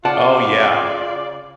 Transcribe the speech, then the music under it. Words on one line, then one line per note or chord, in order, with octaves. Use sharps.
Oh, yeah.
C#3 F4 D5 F#5 A5